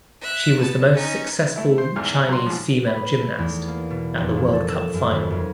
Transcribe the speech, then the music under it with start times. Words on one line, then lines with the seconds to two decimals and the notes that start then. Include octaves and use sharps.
She was the most successful Chinese female gymnast at the World Cup Final.
0.21 E5 F#6
0.57 B3 A5
0.93 C#4 D#4
1.56 A3 E4
1.78 C5
1.96 E2 G#2 F6
2.14 G#5
2.28 F#3 C6
2.46 G#2 F3
2.87 B4
3.19 A3
3.39 E2
3.68 A#3
3.90 B2
4.18 F1
4.37 A#2
4.53 A4
4.70 E6
4.94 F#2
5.11 D#1
5.30 F2